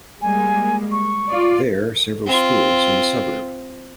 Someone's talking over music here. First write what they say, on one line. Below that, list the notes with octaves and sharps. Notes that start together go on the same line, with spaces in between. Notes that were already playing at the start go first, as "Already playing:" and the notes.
There several schools in the suburb.
G3 G#3 A#3 G#5
C#6
F4 D5
C4 F4